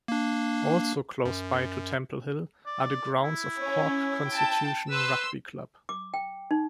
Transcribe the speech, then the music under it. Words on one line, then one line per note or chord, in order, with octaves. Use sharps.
Also close-by to Temple Hill are the grounds of Cork Constitution Rugby Club.
A#3 D4
F#2
D5
E4
C#4
G5 A5
B4 C6 E6
D6
G5
D#4